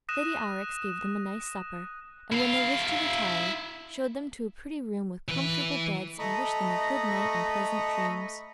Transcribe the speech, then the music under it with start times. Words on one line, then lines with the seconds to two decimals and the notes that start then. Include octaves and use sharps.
Lady Aurex gave them a nice supper and when they wished to retire showed them to a pretty room with comfortable beds and wished them a good night and pleasant dreams.
0.09 D#6 F#6 A#6 D#7 E7
2.32 E4 F5
5.28 E3 B4
6.19 A3 D#5 A#5 B5 C#6 D#6